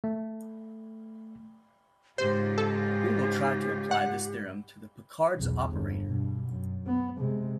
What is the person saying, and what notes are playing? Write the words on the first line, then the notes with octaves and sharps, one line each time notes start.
We will try to apply this theorem to the Picard's operator.
A3
G#2 C#3 F4 G4 C5
A4
F#5
B1 E2
G1
G2 B2
F#2
B3
C3 G#3